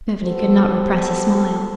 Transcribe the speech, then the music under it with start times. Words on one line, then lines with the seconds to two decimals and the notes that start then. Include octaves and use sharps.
Beverly could not repress a smile.
0.23 B3 F#4 G4 A4 C5